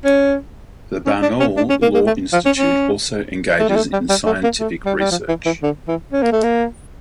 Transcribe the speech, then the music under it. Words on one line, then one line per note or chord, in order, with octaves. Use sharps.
The Barnaul Law Institute also engages in scientific research.
C#4
C#4
D4
C#4
D4
C#4
A#3
A#3
A3
F3
C#4
C#4
A3
G3
A3
G3
G3
A3
A#3
A3
G3
G3
F3
E3
E3
D3
E3
C#4
A#3
A3
A#3